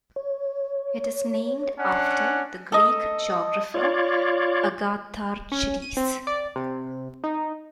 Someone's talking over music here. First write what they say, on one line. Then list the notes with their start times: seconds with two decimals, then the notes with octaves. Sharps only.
It is named after the Greek geographer Agatharchides.
0.16 C#5
1.79 C#4 D4 F#5
2.72 A4 D#5
3.74 F4 C#5 D5
5.52 C#4
5.82 D#7
5.97 C4
6.27 D5
6.56 C3
7.24 D#4